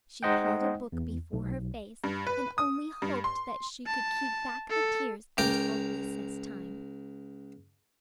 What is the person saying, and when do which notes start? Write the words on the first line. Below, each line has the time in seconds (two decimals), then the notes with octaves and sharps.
She held a book before her face, and only hoped that she could keep back the tears until recess-time.
0.23 G#3 D#4 C5 D#5 F#5 G5
0.92 E2
1.33 B1
2.04 G2
2.27 B4
2.58 D#6
3.02 G2
3.24 C6
3.86 A5
4.70 A4
5.38 C#2 A#4 G5 D6